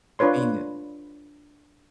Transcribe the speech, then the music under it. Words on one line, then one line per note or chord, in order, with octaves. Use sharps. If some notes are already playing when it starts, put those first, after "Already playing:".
you're being
D4 F4 B4 C#5 C6